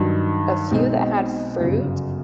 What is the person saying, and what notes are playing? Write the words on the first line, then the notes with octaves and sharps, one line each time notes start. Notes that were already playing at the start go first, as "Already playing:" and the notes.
a few that had fruit
Already playing: G2 D#3 F#3
B1 B2 G#3 C4 D#4
G1 F#2 C#3 F#3